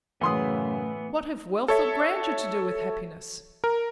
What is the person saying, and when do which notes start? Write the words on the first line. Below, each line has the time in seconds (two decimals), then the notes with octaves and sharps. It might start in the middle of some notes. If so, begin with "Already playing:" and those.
"What have wealth or grandeur to do with happiness?"
0.21 F#2 A2 C#3 E3 A3 B3 C6 D#6
1.68 A4 C#5 E5
3.64 A#4